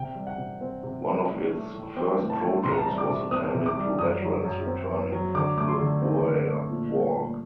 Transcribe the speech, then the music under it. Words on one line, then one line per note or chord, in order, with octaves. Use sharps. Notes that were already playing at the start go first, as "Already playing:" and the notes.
One of its first projects was attending to veterans returning from the Boer War.
Already playing: C3 G5
G3
F#5
C3
C4
C3
G3
A2
A3
A2
C4 G5
A2
A5
A3
C3 C6
A#5
A5
G3 A#5
D6
C3
C4 D#6
C3
D6
G3
F#2 D#6
F#3
F#2
C4
F#2
F#3
D3 D6
A3 D6
C6
D3
C4
D3
A3
A#2
G3
A#2